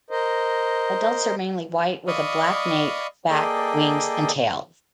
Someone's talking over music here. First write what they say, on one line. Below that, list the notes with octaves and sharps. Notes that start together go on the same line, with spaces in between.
Adults are mainly white with a black nape, back, wings and tail.
A#4 C5 D#5
D5 D#5 F5 B5 C#6 D#6
A#3 G#4 A4 D5 D#5 G5